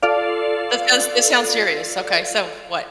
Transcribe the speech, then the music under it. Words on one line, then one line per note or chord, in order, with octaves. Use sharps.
That sounds that sounds serious. Okay. So what?
F4 A4 D5 F5